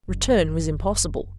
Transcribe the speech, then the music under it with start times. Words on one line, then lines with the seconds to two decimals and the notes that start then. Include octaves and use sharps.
Return was impossible.
0.08 F#1